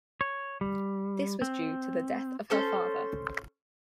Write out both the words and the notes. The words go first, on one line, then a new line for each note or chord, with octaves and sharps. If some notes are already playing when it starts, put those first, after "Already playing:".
This was due to the death of her father.
C#5
G3
C4
C#4 A4 C5